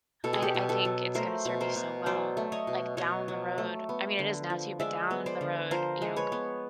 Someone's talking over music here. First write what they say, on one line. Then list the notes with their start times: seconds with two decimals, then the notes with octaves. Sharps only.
I I think it's gonna serve you so well, like, down the road, I mean it is now, too, but down the road, you know, g
0.24 B2 A4
0.33 G#4
0.42 G4 A4
0.55 B2
0.69 A4 B4
0.85 F#3
1.15 A3 A#4 C5
1.45 B2
1.61 A#4 C5
1.76 B2
2.06 F#3 C5 D5
2.37 A3
2.52 C#5 D#5
2.67 B2
2.97 B2 C#5 D#5
3.28 F#3
3.58 A3
3.89 B3
4.19 D3
4.50 F3
4.80 G#3 D5 E5
5.11 B3
5.26 C5 D5
5.41 D3
5.71 F3 A#4 C5
6.02 G#3
6.16 B4 C#5
6.32 B3